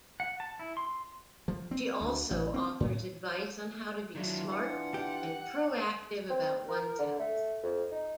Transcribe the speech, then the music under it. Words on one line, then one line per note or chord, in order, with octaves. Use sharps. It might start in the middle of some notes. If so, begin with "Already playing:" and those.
She also offers advice on how to be smart and proactive about one's health.
F#5
A5
E4
C6
F3
C4
D2
A1
C4
A2
D#3 E3 F#3 D4 F4
F#5
G4
C4
A#4
D3
A3
F2
D#4